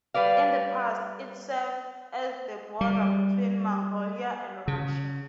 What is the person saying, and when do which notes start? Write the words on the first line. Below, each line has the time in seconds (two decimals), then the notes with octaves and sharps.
In the past, it served as the border between Mongolia and Russia.
0.14 G3 B4 D5 F5
2.81 G3
4.68 C#3